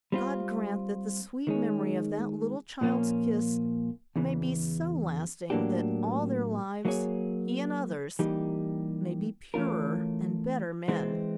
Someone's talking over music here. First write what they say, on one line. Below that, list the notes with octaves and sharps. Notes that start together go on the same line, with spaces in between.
God grant that the sweet memory of that little child's kiss may be so lasting that all their lives, he and others, may be purer and better men.
G3 C4 F4
D#3 G#3 C#4
A#2 F3 A#3 C#4 F4
E2 C#3 E3
A2 F#3 A#3 D4 G4
F#3 A#3 D#4 G#4 C#5
E3 G3 A#3 D#4 G4
E3 A3 C#4 F4 A#4
E3 G#3 C4